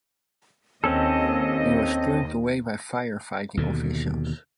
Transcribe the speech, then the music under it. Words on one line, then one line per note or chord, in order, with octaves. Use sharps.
He was turned away by firefighting officials.
D#2 C4 C#4 A4 D#5
D#2 B2 D3